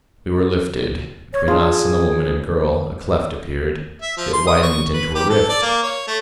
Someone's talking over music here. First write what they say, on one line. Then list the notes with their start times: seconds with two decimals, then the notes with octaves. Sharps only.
We were lifted; between us and the woman and girl a cleft appeared; it widened into a rift.
1.33 C#5
1.48 D4 F4 G#4
4.02 E5
4.17 F3
4.33 C6
4.47 D#6
4.63 C#6
4.93 B4
5.15 G4
5.30 A4
5.50 D5
5.62 A#3
5.83 C#5
6.07 A3